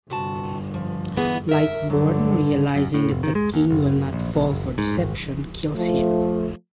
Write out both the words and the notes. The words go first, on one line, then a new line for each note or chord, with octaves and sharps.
Lightborn, realizing that the king will not fall for deception, kills him.
G1 C3 F#4 A5
F3
E3 B3 G#4
A#4 E5
G2 D3 F#3
F#2
A2
F1
D#3
G#3
D#2
F#1
A#1
B1
F#1
G#2
G#1
F3 A3